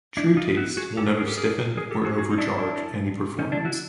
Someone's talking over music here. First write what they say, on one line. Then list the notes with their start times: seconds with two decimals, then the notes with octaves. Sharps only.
True taste will never stiffen or overcharge any performance.
0.17 D4 E4
0.37 D#4 F4
0.57 E4 F#4
0.77 F#4 G#4
0.97 G4 A4
1.07 G#4 A#4
1.17 G#4 A#4
1.27 G4 A4
1.37 G#4 A#4
1.77 G#4 A#4
1.91 G4 A4
2.05 F#4 G#4
2.14 G4
2.18 F#4 G#4
2.30 D#4
2.38 D4 E4
2.58 D4 E4
3.39 C#4 D#4
3.52 D4 E4
3.65 E4 F#4